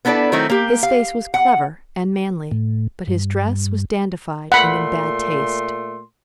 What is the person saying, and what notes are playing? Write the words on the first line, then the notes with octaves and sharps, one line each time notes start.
His face was clever and manly, but his dress was dandified and in bad taste.
B3 D4 E4 A4 D5
D#3 F#3 A3 C4 D#4 E4
A#3 G4
F5
F#5
A2
G2
A#2 A3 F#5 B5 C6